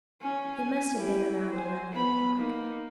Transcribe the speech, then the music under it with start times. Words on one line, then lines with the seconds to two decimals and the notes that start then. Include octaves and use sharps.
It must have been around eleven o'clock.
0.21 C#4 G#5
0.57 G#5
0.95 E4 G4
1.52 C5 G#5
1.92 B3 B5
2.37 A#3 D#4